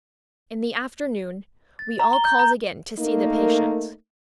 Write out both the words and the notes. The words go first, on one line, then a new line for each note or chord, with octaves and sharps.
In the afternoon we all called again to see the patient.
A6
A#5
G7
G6
A#5
A3 A#3 D#4 A#4